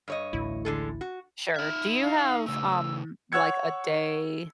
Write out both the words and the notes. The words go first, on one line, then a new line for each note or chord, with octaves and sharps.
Sure. Do you have, um, like a day
G2 C#5 D#5
A1 D2 A2 E4
D3 G#3 A4
F#4
D#4 E5 F6
F5
C#3 A3 E6
C#5 F#5 E6 G#6 C#7